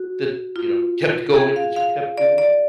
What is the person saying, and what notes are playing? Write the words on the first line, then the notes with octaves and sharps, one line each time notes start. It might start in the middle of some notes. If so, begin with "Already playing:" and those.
that, you know, kept going that you kept doing?
Already playing: F#4
F4
G#4
F5
F5
D5
D5